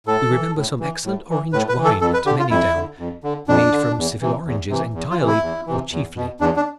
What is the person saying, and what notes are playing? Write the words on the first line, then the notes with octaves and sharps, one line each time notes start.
We remember some excellent orange wine at Manydown, made from Seville oranges, entirely or chiefly.
A2 A4
E3
A2
E3
A2
E3
A2 B4
B4
E3
A4
F2 A4
B4
D3 G4
F4
F2 E4
D3
F2
D3
F2 D4
D3
E2
C3 E3
E2
C3 E3
E2
F4
C3 E3
E4
E2
C3 E3
E2
B2
E2 D4
D4